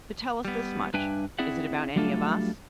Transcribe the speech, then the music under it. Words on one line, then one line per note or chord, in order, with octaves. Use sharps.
"But tell us this much--is it about any of us?"
G3 B3
G2 D4 B4 E5 G5 G#5
C4 E4 G#4 D5 E5 F#5
F#3 G3 A3 D4 F4 A4